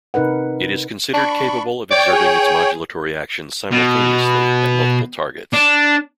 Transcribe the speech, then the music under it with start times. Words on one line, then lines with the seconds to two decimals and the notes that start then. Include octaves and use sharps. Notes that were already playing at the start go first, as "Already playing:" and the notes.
It is considered capable of exerting its modulatory actions simultaneously at multiple targets.
0.14 C3 D#4 A#4 B4 F#5
1.14 D4 B5 C#6
1.91 C#5 D5 G5
2.13 G#4
3.72 B2
5.54 D4